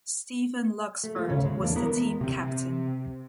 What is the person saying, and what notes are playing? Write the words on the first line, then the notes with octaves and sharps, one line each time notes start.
Stephen Luxford was the team captain.
A3
A3 F4
D2 G#2 C#3 C#4
G#3
E2 A#3 D4
E3 B3 A#4
C3 C4